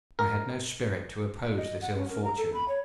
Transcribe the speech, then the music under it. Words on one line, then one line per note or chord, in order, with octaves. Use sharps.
I had no spirit to oppose this ill fortune.
A#4
D#5
F#5
C#4
A#4
A#5
A4
B5
C#5